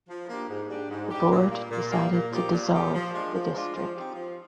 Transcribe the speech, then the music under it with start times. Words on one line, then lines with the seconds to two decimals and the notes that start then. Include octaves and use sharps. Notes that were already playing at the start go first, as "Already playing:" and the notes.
The board decided to dissolve the district.
0.09 F3
0.29 A#3 D4 G4
0.49 G#2
0.69 G3 D4 G4
0.90 G#2
1.11 G3 D4 G4
1.31 A#2
1.51 G3 A#3
1.71 A#2
1.92 G3 A#3
2.12 A#2
2.32 F3 A#3 D#4 G4
2.52 A#2
2.73 F3 A#3 D#4 G4
2.93 F3
3.14 G#3 D4 F4
3.34 F3
3.54 G#3 D4 F4
3.75 F3
3.95 C4 D#4 G4
4.15 F3